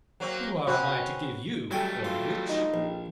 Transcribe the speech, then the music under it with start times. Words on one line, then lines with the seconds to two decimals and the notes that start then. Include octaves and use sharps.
But what am I to give you, old witch?
0.20 F#3 A#3 C4
0.67 C4 C#4 F#4 B4 C#5
1.71 F#3 G3 A3 A4 G5 G#5 C#6
2.04 F4
2.49 D#4
2.74 A#1